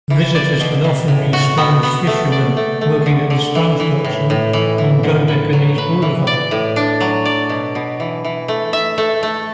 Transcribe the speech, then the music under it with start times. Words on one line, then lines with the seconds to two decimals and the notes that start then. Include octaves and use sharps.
Visitors can often view sponge fishermen working at the Sponge Docks on Dodecanese Boulevard.
0.10 E3
0.35 D5
0.60 B2
0.84 B2
1.08 A2
1.33 F#4
1.58 B3
1.83 B3
2.07 A3
2.32 D5
2.57 A3
2.81 A3
3.06 D3
3.30 D3
3.55 E3
3.80 E3
4.04 A2
4.30 A2
4.53 E3
4.78 E3
5.03 D3
5.28 B4
5.53 F#3
5.78 B4
6.02 E3
6.27 D5
6.51 A2
6.76 D4
7.00 F#3
7.25 D5
7.50 B2
7.75 B2
8.00 E3
8.25 E3
8.48 A3
8.73 E5
8.98 A3
9.23 A3